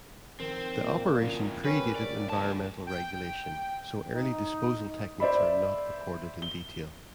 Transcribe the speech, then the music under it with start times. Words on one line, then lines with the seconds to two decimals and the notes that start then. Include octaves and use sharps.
The operation predated environmental regulation, so early disposal techniques are not recorded in detail.
0.40 D#3 F3 C4 A#4
0.82 A#2 A#3
1.22 F#2 C#3 C4 F4
1.65 C#4 G4 A#4 B4
1.96 A#1 D5
2.29 C#2 A5
2.86 G5
4.15 D#4
5.20 C5 D5 E5 B5
6.42 G7